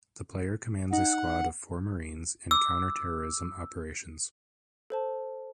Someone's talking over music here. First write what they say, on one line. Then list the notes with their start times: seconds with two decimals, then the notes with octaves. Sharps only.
The player commands a squad of four marines in counter-terrorism operations.
0.93 D#4 F#5
2.51 D6 E6
4.90 A4 C5 A5